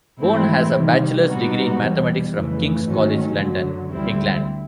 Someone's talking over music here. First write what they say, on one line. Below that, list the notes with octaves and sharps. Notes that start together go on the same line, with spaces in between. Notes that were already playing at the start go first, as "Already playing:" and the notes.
Bourne has a bachelor's degree in mathematics from King's College London, England.
G#2 E3 A3 C4 E4
C3 D#3 G3
B2 G3 B3 D#4 F#4
E2 B2 G3
F2 C#3 E3 A3
G#2 D#3 F#3 A3 C#4
F#2 D3 F#3
D2 D3 G3 C4 E4